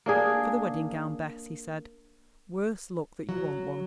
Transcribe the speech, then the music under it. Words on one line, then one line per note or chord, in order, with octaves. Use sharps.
"For the wedding gown, Bess," he said; "worse luck that you want one!"
A#3 D4 G#4
F#3